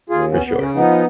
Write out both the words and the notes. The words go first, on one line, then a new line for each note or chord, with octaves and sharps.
For sure.
D#2 F4 G#4
B3 C#4
B3
C#3
C#4
F3 B3 D#4